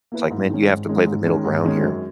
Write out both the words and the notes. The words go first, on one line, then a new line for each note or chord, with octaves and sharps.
it's like, "Man, you have to play the middle ground here
A#3 E4 B4
G#2
D#3 G#3 C#4
G#2
D#3 G#3 C#4
G#2
D#3 G#3 C#4
G#2
D#3 G#3 C#4
F#2